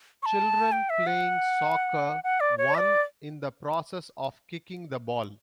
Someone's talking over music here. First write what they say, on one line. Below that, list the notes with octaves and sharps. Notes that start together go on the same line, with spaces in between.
Children playing soccer, one in the process of kicking the ball.
C#6
A5
G5
E5
F#5
F#5
D5
C#5
E5
D5